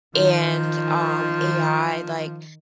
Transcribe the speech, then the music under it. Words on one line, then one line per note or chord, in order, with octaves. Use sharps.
and, um, AI, like,
D#3 F3